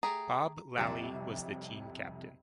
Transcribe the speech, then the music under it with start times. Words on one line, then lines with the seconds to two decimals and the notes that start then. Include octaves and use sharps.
Bob Lally was the team captain.
0.03 A3 G4 G#4 A#5
0.78 C2 F2 C3 F#3 D4 G5